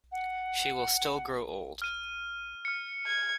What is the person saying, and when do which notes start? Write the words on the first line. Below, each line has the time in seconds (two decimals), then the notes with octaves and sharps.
She will still grow old.
0.12 F#5
1.82 F6 D#7
2.65 F6 C#7
3.07 G#6